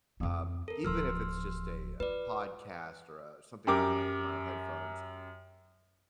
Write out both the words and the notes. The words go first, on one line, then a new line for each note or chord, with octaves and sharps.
um, even if it's just a, uh, podcast or, uh, something on my my headphones,
F2 C4
A4 A#4
D1 F3 C6 E6 F6
F4 B4 D5
F#2 G4 A#4 D6